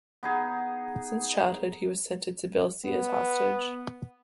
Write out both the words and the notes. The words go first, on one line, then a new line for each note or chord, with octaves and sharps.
Since childhood he was sent to Tbilisi as hostage.
B3 D#4 G#4
B3